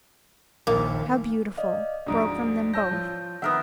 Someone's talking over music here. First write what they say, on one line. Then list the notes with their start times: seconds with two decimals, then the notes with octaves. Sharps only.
'How beautiful!' broke from them both.
0.67 A#1 D#2 A#3
1.57 D5 D#5 F5
2.06 D2 G#2 F3 D5 D#6 D7
2.74 C#5 A5 E6 G6 A#6
2.91 F3 F4
3.42 D#3 B3 A#4 E5 F#5